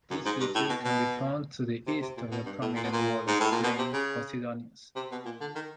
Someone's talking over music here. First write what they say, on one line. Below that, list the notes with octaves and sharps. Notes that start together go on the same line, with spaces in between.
This feature can be found to the east of the prominent walled plain Posidonius.
F#2
G#2
G2
A2
B2
B2
C3
C3
A#2
B2
G2
A2
A#2
B2
A#2
G#2
A2
A#2
B2
C3
C#3
C3
B2
A#2
D3
D#3